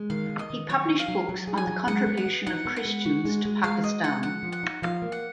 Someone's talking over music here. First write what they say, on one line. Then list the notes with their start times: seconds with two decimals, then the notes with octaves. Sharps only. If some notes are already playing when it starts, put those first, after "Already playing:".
He published books on the contribution of Christians to Pakistan.
Already playing: G#3
0.10 D#3 F5
0.30 D#3
0.39 D#5
0.50 D#3
0.69 F#3 C#5
0.89 F#3
0.99 F5
1.08 F#3
1.29 F#3
1.47 G#4
1.57 G#5
1.67 F#3
1.87 G#3 F#5
2.06 B3
2.17 F#5
2.26 B3
2.47 D#4 F#5
2.66 B3
2.76 F#5
2.85 G#3
3.05 F#4
3.25 G#3
3.45 G#3
3.64 G#3 F5
3.84 F#4 D#5
4.04 G#3 F#5
4.23 F3 F#5
4.43 F3
4.52 F#5
4.63 D#4
4.82 F3 F5
5.02 A#3
5.12 F#5